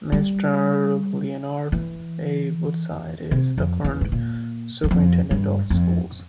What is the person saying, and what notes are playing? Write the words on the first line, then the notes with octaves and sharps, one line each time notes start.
Mr. Leonard A. Woodside is the current superintendent of schools.
G3
E3
C3
F2
E2
G#2
A#2
E2
F2
G2
F2